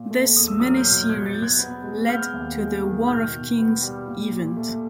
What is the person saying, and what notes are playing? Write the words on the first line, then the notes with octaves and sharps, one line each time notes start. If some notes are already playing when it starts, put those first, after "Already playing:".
This mini-series led to the War of Kings event.
Already playing: A#2
A3
E2 D#6
E6
F#3 D#6 F6
F6 G6
B2
F6 G6
B2 F#6 G#6
G6 A6
B2
F#6 G#6
B3
G#3
B3 F6 G6
D#2
G#3
D#3
B2 F6 G6
B2
B3
G3
A#2
A#2
A3